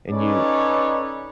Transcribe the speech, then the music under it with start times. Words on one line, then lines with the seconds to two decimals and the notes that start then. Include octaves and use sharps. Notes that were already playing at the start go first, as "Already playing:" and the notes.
and you
0.10 C#4 D#4 A4 B4 C#5 D5